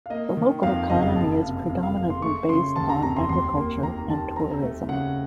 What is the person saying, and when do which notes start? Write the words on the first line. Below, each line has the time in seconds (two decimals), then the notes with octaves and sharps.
The local economy is predominantly based on agriculture and tourism.
0.06 F5
0.10 A#3 D#5
0.37 D#3
0.63 F2 F5
0.89 F#1 D#5
1.02 F5
1.16 F#1 A5
1.43 C3 F5
1.70 F2 F5
1.83 F5
1.96 F#1 F5
2.10 C6
2.22 A3 C#6
2.49 C#3 C6
2.76 D#2 A5
2.89 A#5
3.03 F1 A#5
3.17 C6
3.29 D#2 C6
3.56 A#3
3.82 D#3 A#5
4.10 D#2 A5
4.36 C4 A#5
4.62 A3
4.89 C#3 F#5